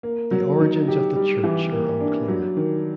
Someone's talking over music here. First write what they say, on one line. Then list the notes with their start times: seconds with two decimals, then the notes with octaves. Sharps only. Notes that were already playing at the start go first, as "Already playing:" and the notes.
The origins of the church are unclear.
0.03 A#3
0.31 F#3
0.60 D#4
0.88 G4
1.16 G3
1.44 E3
1.71 A#3
2.01 D4
2.28 F#3
2.57 D#3